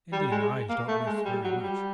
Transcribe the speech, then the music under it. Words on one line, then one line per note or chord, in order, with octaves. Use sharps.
Indian eyes don't miss very much.
G3
G#3
A#3
A3
G#3
G3
F#3
G3